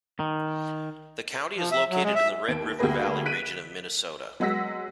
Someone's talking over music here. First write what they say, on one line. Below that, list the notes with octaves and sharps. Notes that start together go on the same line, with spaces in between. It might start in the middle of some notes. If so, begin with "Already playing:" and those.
The county is located in the Red River Valley region of Minnesota.
D#3
F3
E5
F#3
G#3
E5
D#2 D7
D2 A#3 G4 G#4 B4 A#6
F#6 B6 D7 D#7
F#3 G#3 F#5 E6 A#6 B6